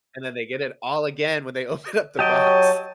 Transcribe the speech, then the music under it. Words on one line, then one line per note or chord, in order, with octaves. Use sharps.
and then they get it all again when they open up the box.
F#3 G4 C#5 D#5 G5 A5